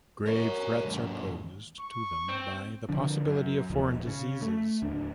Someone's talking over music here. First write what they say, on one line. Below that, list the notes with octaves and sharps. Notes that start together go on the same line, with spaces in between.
Grave threats are posed to them by the possibility of foreign diseases.
A#4 C#5
D#2 G#2
C#6
C4
D3 F3 D4
F#2
D#1 G#1 D#2 F3
C#3
A3
D1 D#2 D4